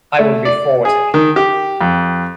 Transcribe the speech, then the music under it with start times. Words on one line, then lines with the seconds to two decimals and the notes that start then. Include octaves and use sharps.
I will be forty.
0.19 A3
0.45 D5
0.85 G#4
1.14 D#3
1.36 G4
1.81 F2